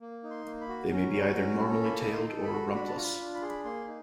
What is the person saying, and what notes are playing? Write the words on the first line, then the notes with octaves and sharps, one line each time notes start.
They may be either normally tailed or rumpless.
A#3
D#4
C6
A#3
B5
F#4
C#4 A#5
F#4
C#4
A4
A#5
A#3 B5
D#4 B5
C6
A4
B5
F#4
D4 B5
A5
F4 A#5
B5
D4
B5
G#4 C6
B5
A#3 C6
D#4